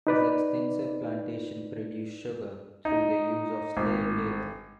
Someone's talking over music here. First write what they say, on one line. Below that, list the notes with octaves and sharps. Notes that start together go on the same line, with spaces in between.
His extensive plantation produced sugar through the use of slave labor.
D#4 B4 D5
D#4
G#1